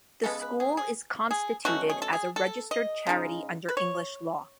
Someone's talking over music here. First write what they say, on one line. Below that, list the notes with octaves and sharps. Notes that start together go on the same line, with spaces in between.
The school is constituted as a registered charity under English law.
C#3 G#3 B3 A4
B4
G#4
G#4
G#4
B2 F#3 A3 C#4 F#4
G#4
A4
G#4
A4
D#5
C#3 G#3 D#4
B4
C#5